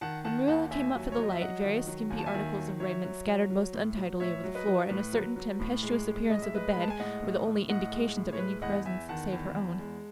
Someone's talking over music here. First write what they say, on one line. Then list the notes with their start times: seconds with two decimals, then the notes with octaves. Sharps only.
When Marilla came up for the light various skimpy articles of raiment scattered most untidily over the floor and a certain tempestuous appearance of the bed were the only indications of any presence save her own.
0.01 D#3 F#5 A5
0.24 D#3 F#5 A5
0.48 D#2 F#5 A5
0.71 D#2 E5 G#5
0.95 F#3
1.12 C#5
1.18 F#3 D#5
1.31 E5
1.41 F#3 D#5 F#5
1.64 D#3
1.87 F#3
2.10 D#2 G#5
2.18 A5
2.26 E5 G#5
2.34 D#3
2.58 F#3
2.80 F#3 C#5 E5
3.04 F#3
3.27 F#3
3.50 F#3
3.73 A2
3.97 F#3
4.20 A2 C#5 E5
4.44 F#3
4.55 B4 D#5
4.67 F#3
4.90 A2 B4
5.13 F#3
5.36 F#3
5.60 A2
5.83 G#3
6.07 G#3
6.29 A2 D#5
6.42 E5
6.53 G#3 B4 D#5
6.73 G#3 B5
6.82 A5
6.90 G#5
6.99 A2 D#5 F#5
7.22 A2
7.46 A2
7.69 A2 D#5 F#5
7.93 G#3
8.16 A2
8.33 C#5
8.39 G#3 B4
8.62 E2 D#5 F#5
8.85 E2 E5 G#5
9.09 D#3 F#5 A5
9.32 E2
9.55 E2
9.79 G#3